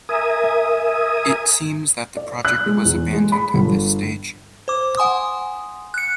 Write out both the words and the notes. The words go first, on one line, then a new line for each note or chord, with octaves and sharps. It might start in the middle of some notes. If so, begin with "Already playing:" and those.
It seems that the project was abandoned at this stage.
A#4 E5 G#5 D#6
D5
F#6
G#3
E2
G#3
B5
G1
C5 D6
F#5 G#5 C6 D#6
F#6 C#7